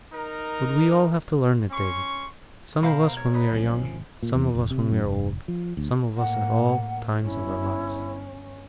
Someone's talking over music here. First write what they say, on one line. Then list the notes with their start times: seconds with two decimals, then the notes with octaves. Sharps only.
But we all have to learn it, David; some of us when we are young, some of us when we are old, some of us at all times of our lives.'
0.13 D#4 A#4
1.71 C#4 C6 C#6
2.83 B2 A#4 C5 F5 B5
3.17 C#5
3.34 D#4 B4
3.52 B1 A2 D#3 F3 C#4
3.82 G#1 C3
4.23 A#2
4.35 E2
4.55 F1
4.71 C3
4.92 F#2
5.04 F1
5.48 F3
5.77 D2
6.17 A2 A#3 F#5
7.21 G1 C#4 E4